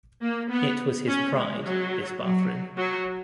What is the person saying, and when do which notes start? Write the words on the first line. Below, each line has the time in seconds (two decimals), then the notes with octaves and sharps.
It was his pride, this bathroom.
0.21 A#3
0.49 B3
1.07 C#4
1.35 G#3
1.63 F#3
2.20 F#3
2.76 F#3